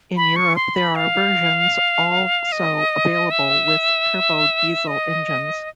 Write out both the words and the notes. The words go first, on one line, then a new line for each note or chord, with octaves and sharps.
In Europe there are versions also available with turbo diesel engines.
B5
C#6
C6
B5
F5
D#5
E5
D#5